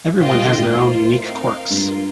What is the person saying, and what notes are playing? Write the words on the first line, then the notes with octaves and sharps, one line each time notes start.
Everyone has their own unique quirks.
A#2 F4 C5 D#5 G5
G3
D3
A2
A#3 F4 C5
C4 D#4 A#4 F5
G2 A#3 F4 A#4